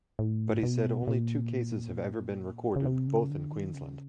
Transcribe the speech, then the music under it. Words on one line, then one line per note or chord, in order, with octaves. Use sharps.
But he said only two cases have ever been recorded, both in Queensland.
A2
B2
A#2
C#3
C3
C#3
D3
D#3
C#3